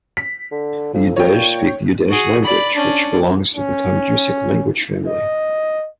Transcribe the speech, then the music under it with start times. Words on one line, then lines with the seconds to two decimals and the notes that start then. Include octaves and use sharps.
The Udege speak the Udege language, which belongs to the Tungusic language family.
0.17 B6
0.51 D3
0.94 F2
1.16 A#2 C#5 G5
2.09 F#4 G#4
2.44 D5 B5
2.75 C#4 D4
3.55 C#4
5.07 D#5